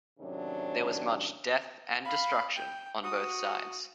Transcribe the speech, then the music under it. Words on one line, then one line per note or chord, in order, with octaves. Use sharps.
There was much death and destruction on both sides.
A2 C3 D#3 F#3 C#4 D4
F5 B5
G5
F#4 D#6